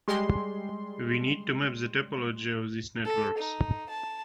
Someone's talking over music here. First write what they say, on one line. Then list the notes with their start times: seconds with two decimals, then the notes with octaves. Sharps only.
We need to map the topology of these networks.
0.08 G3 G#3 C6
3.06 A4
3.38 D#4
3.90 A5